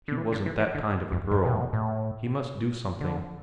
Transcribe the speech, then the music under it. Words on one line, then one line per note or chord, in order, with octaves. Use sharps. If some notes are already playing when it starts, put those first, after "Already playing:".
She wasn't that kind of a girl. He must do something.
D3
E3
D3
E3
E3
D3
F2
G2
B2
A2
B2
A2
D3